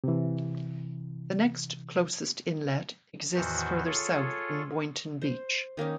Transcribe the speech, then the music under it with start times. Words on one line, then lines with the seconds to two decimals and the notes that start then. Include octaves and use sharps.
The next closest inlet exists further south in Boynton Beach.
0.04 C3 E3
3.35 E2 A2 D#3 E3 F#4 C5
3.85 F4 G#4 A4 C#5
5.22 C5
5.77 D#3 A#3 C#4 D#4